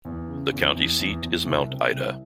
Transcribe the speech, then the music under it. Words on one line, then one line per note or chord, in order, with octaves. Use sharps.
The county seat is Mount Ida.
E2
C#3
E2
E2
E2
E2
C2
C3
C2